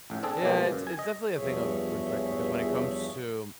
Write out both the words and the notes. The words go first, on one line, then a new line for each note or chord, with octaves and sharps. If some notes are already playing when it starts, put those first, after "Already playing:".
Yeah, it's it's definitely a thing of perspective because when it comes to
A1 A2
C4 D4 G#4 A4
B2 E3 F3 G#3 A#3 G4
F#2
G#5
D#5
E2 G2 F3 G#4 C#5 E5